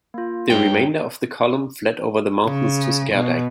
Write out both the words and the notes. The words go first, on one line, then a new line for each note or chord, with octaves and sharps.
The remainder of the column fled over the mountains to Skerdagh.
A#3 F4
G2 D#4 C#5 G5
C#3
B2